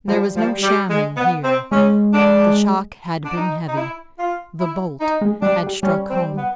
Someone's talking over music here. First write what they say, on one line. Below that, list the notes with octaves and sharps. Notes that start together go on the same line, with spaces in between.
There was no shamming here--the shock had been heavy--the bolt had struck home.
F3 G3
F3
G3
G#3
B3
C4
G#3 C#4
D4
D4
D#4
D#4
E4
F4
E4
D#4
G#3
G3 D4
G3
G3 C#4
C4
B3